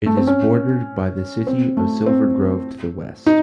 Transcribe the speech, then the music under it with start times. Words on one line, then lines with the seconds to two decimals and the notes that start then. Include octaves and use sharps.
It is bordered by the city of Silver Grove to the west.
0.06 A3
0.17 C4
0.27 C#4
1.47 C4
1.77 A3
2.06 C4
3.26 D#4